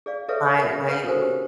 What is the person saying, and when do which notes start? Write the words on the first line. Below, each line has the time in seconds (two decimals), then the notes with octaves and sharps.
my my we
0.06 G#4 D5 F5
0.28 G#4 A4 B4 C#5 E5 F5
0.59 A#4 E5 F#5 G#5 A#5
0.88 B4 C#5 F5 F#5 A#5 B5
1.05 F#4 A4 A#4 C5 G#5
1.22 G4